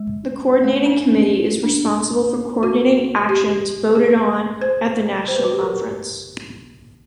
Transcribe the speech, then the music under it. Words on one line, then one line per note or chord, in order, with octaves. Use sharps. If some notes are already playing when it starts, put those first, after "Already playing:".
The coordinating committee is responsible for coordinating actions voted on at the national conference.
Already playing: G#3
A3
D4
C#4
D4
F#4
G4
G#4
C5
C5
B4
F#4
G4
A#4